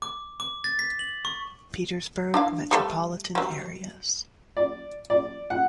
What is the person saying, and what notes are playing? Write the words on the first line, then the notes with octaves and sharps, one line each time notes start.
Petersburg metropolitan areas.
D6
D6
A6
B6
F#7
C#6
D4 E4 F5
G3 A3 A4
F#3 G3
D5
D5
F#5